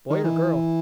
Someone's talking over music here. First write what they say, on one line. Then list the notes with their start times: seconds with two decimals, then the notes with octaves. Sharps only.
"Boy or girl?"
0.10 D#3
0.24 E3